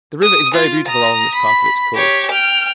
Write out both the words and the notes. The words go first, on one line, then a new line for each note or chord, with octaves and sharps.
The river is very beautiful along this part of its course.
D#6
F4
A#5 D#6
B5
G4 C#5
G5 F6